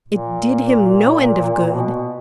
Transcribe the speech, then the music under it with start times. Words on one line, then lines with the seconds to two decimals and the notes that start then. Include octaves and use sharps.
It did him no end of good.
0.09 A#2
1.72 B2